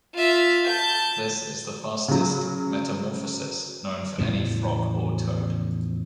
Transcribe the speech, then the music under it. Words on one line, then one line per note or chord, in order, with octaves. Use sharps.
This is the fastest metamorphosis known for any frog or toad.
F4 E5
A5 G6
C#3 F#3
E2 A2 C#3 F3